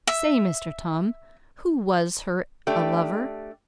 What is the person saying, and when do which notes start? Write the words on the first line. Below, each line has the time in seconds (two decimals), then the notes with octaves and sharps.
Say, Mr. Tom, who WAS her A lover?
0.07 E5
2.67 A3 D4 G4